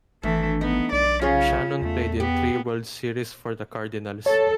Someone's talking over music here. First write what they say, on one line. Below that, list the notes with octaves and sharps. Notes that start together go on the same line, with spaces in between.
Shannon played in three World Series for the Cardinals.
G#1 D2 E3 A3
B3 D#4
B1 D5
C#3 C#4 F4 G#4 C#5
E2 A3
B3 G4
A4 C#5